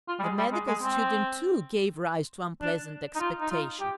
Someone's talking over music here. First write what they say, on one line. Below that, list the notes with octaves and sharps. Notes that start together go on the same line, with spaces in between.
The medical student, too, gave rise to unpleasant expectations.
F4
G3
G#3
G3
G#3
G#3
C4
D4
D#4
F4
D#4
F4
G4